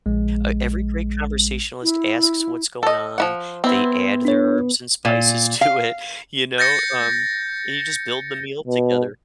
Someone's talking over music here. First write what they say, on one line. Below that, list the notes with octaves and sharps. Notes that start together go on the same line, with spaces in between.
uh, every great conversationalist asks what's going on. They add their herbs and spices to it, you know, um, and you just build the meal together.
A#1 G#3
E4
A4 D#5
F3 E4 F#5
B3 C4 E4
D4 C#5
A#2
F5
G6 A6 A#6 C#7
B2